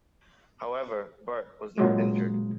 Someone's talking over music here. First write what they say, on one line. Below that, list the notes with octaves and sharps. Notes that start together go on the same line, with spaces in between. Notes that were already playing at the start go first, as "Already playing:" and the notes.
However, Birt was not injured.
A#2 C#3 F#3 G#3